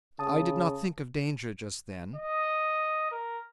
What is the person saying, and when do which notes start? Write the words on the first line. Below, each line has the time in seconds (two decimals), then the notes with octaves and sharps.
'I did not think of danger just then.
0.19 C#3 A5 D#6
2.16 D#5
3.12 A#4